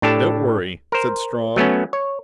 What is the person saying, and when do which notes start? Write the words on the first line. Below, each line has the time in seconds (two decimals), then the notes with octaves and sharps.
"Don't worry," said Strong.
0.02 A2 D4 G4 A4 A5
0.92 A#4 C5
1.56 F#3 A3 B3 C#4
1.93 C#5